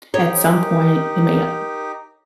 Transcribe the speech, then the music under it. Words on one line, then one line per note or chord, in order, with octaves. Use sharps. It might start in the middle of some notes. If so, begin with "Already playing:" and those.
at some point, it may not
D#4 G4 C#5
A#4